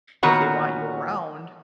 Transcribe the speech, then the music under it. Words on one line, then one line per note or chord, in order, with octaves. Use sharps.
if they want you around,
A#2 D#3 B3 F#4 C#5 F#5